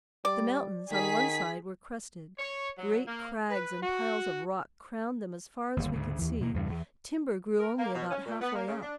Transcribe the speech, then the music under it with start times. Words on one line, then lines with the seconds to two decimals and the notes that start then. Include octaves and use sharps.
The mountains on one side were crested; great crags and piles of rock crowned them as far as we could see; timber grew only about halfway up.
0.25 G3 D5
0.91 D#3 G#4 B6
2.38 C#5
2.78 F#3
3.07 A#3
3.49 B4
3.81 F#4
5.77 G1 D#2
5.93 D2 G#2 C#3
6.19 D#2 E3
6.39 D2 B2 G#3 A#3
6.54 E2 G2 C#3
6.69 E2
7.59 A#4
7.78 A#3
7.95 B2
8.10 C#4
8.26 A#2
8.42 B3
8.55 A#3
8.68 C#3
8.82 D4